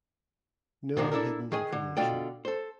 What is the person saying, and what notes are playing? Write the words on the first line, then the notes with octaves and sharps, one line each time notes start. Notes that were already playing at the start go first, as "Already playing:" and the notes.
No hidden information.
G#2 C3 F3 A#3 D4
D4 E4 A4 A#4
D#3 G#4 G#5
D3
B2 D3 F4 D5 G5
A4 C5